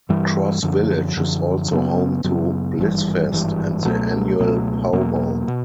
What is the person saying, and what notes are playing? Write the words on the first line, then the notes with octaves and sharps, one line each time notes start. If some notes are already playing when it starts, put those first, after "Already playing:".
Cross Village is also home to Blissfest and the annual pow wow.
G2 E3 G3
F#2 D3 F3
F#2 D3 F3
F#2 C#3 F#3 B3
F#2 C#3 F#3 B3
G#1 G2 E3 G3
G#1 G2 E3 G3
C#2 B2 F#3 A3
C#2 B2 F#3 A3
E2 B2 F#3 A#3
B2